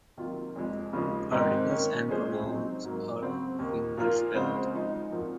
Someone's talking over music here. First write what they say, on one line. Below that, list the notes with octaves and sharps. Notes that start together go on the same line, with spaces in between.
Articles and pronouns are fingerspelled.
C3 D#3 F#3 A#3 F4
F2 C3 F3 G#3
D#2 C#3 F3 G#3
G#2 D#3 G#3 C4 D#4
D#3 A#3 C#4
F3 G#3 C#4 G#4 C5
C3 F#3 C4 D#4
G#2 F#3 A#3
C#3 F#3 C4 F#4
D#2 D#3 A#3
A#2 F3 A#3 F4 A#4
C#3 G#3 C4 F#4 C5
F3 G#3 D#4
A#2 F3 C4 F#4 A#4